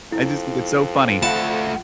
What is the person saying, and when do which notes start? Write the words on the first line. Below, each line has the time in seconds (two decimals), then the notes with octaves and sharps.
I just think it's so funny.
0.12 F2 E4
1.23 A3 F4 F5 F#5 A5